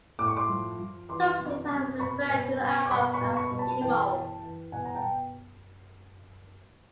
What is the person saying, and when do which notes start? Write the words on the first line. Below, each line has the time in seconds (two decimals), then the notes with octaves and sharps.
Some sources have referred to the album as "emo".
0.19 A2 D6
0.28 C#6
0.36 C6 D6
0.49 F3
0.79 F3
1.09 E3 C6 D6
1.40 C3
1.70 C3
1.99 B2 B5 C#6
2.30 B2
2.61 B2
2.86 D6
2.91 B2 B5 C#6
3.13 B5 C#6
3.21 B2
3.36 B5 C#6
3.51 B2
3.59 A5 B5
3.82 E3 G5 A5
4.12 E3
4.43 E3
4.72 B2 F#5 G#5
4.85 A#5
4.95 G5 A5
5.03 B2